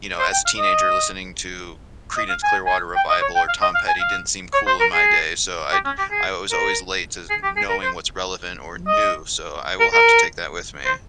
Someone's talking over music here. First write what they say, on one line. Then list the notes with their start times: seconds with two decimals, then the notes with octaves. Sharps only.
you know, as a teenager listening to Creedence Clearwater Revival or Tom Petty didn't seem cool in my day so, I'd I was always late to kn knowing what's relevant or new so, I will have to take that with me.
0.19 C5
0.32 G5
0.46 F5
0.59 D#5
2.17 D#5
2.30 F5
2.43 G#5
2.67 G#5
2.96 G5
3.09 D#5
3.22 C#5
3.36 G5
3.48 F5
3.62 D#5
3.75 F5
3.88 G#5
4.01 F5
4.54 C#5
4.67 C5
4.80 A#4
4.93 G#4
5.72 G4
5.85 C#4
5.98 G4
6.11 G#4
6.51 A#4
7.30 G#4
7.43 G4
7.56 G#4
7.69 A#4
7.83 C5
8.88 D#5
9.80 A#4
9.93 A#4
10.86 C5